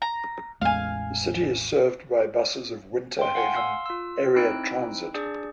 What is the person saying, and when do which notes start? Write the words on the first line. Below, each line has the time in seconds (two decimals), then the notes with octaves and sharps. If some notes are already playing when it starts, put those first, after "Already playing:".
The city is served by buses of Winter Haven Area Transit.
0.02 A#5
0.61 A1 E2 G#3 F5 G#5
3.19 G5 C6
3.35 F5 F#5 G#5 C6
3.55 F5 C6 E6
3.86 F4 E6
4.36 C4 D#4 E4 E6 F#6 D7
5.14 D4 G#4 D5